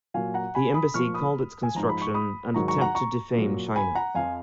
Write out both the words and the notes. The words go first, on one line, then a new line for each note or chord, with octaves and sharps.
The embassy called its construction an attempt to defame China.
A#2 F#3 F5 G#5
F#5 A#5
G#5 B5
B5 D#6
A#2 F3 C#6 F6
B5 D#6
G#5
G#2 F3 A#5
B5
C#6
B5 D#6
G#2 D#3 F#3 A#5 C#6
A#5 C#6
F#5 A#5
A#5 C#6
A#2 F#3
G#5 B5
F#5 A#5
F2 F3 F5 G#5